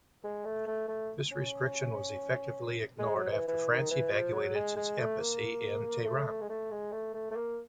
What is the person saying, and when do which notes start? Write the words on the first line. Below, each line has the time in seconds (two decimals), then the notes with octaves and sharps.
This restriction was effectively ignored after France evacuated its embassy in Tehran.
0.24 G#3
0.45 A3
0.67 A3
0.88 A3
1.31 C#4
2.99 G#3
3.15 F#3
3.31 E3
3.48 E3
3.69 D#3
3.90 E3
4.12 F3
4.33 F#3
4.55 G#3
4.76 G#3
4.98 A3
5.20 A#3
6.06 A3
6.28 A3
6.41 G#3
6.49 A3
6.71 G#3
6.92 A3
7.14 A3
7.31 A3
7.36 A#3